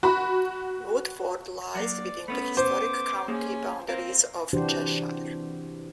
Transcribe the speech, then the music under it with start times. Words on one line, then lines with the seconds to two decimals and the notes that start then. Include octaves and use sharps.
Woodford lies within the historic county boundaries of Cheshire.
0.03 F#4 B5
1.75 F#3 A#3 D5
2.28 A3 B3 C#4 B5
2.57 C5 D6
3.28 A#3 C#4 G#4
3.88 C4 A#4 F5
4.53 C3 E3 D4 F#4 G4 C5